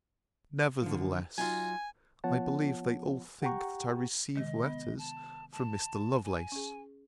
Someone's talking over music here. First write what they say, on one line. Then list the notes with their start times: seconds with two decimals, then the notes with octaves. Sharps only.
Nevertheless I believe they all think that I receive letters from Mr. Lovelace.
0.82 D3 F3
1.38 F#3 D#4 F4 G#5
2.24 F3 B3 F4 C#5 F#5 A5
3.42 G4 F#5 G5 A#5 C#6
4.36 C3 D#3 G#3 D#5
4.64 B3
4.99 A5
5.52 A5
6.24 G#5
6.52 C#4 G#4